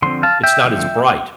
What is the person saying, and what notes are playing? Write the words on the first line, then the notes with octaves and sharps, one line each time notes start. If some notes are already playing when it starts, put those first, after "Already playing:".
it's not as bright
D3 F3 C4 C6
F5 A5
E5 G5
D3 F3 A3 C4